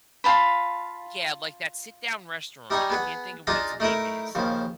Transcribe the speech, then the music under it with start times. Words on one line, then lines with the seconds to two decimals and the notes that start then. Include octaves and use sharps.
Yeah, like, that sit down restaurant. I can't think of what its name is.
0.24 F4 F5 A5 B5
2.70 G3 D#4 D#5 G#5 C#6
2.90 B3 G#4 F#5
3.47 D4 D#4 F4 G#4 D#5 F5
3.80 A3 D#4 E4 A#4
4.35 D#2 C#3 F3